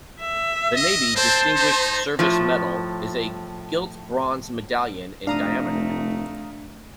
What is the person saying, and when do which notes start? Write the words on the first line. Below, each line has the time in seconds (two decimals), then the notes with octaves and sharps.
The Navy Distinguished Service Medal is a gilt bronze medallion in diameter.
0.20 E5
0.76 D#5
1.16 C4 C5 A5
1.56 D#4
2.19 A2 F3
5.27 F1 A3 D4 F5 A#5 D#6